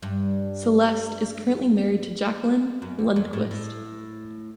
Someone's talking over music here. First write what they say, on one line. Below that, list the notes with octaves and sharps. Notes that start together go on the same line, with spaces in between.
Celeste is currently married to Jacqueline Lundquist.
G2
F#2
E2
F2
A2
A2